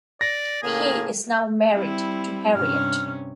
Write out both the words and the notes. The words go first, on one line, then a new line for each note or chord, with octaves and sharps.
He is now married to Harriet.
D5 A#6
A2 C#3 A#3 G#4
G3 C4 E4
G2 C3 C#4 F6